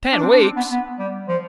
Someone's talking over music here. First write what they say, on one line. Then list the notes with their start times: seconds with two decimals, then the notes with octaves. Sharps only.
"Ten weeks!"
0.13 D4
0.22 C4
0.33 D4
0.42 C4
0.56 B3
0.71 B3
0.99 G3
1.28 F3